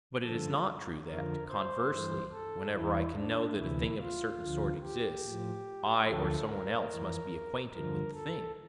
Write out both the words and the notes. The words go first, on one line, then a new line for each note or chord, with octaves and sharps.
But it is not true that, conversely, whenever I can know that a thing of a certain sort exists, I or some one else must be acquainted with the thing.
G2 D3 F3 A4
F2 D3 F3 A#4
C5
G2 E3
A4
E2 E3 E4
D4
D2 C3 E3 E4
F4
D2 D3 F3
G4
A2 F3
D2 D3 F3 A4
A#4
F2 E3
G2 D3 F3 A#4
A4